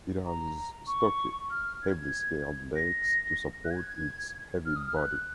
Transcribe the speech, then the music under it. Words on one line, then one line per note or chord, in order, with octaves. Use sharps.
It has stocky, heavily scaled legs to support its heavy body.
A#5
C#6
F6
G#6
A#6
F#6
G#6
F6
D#6
F6
F#6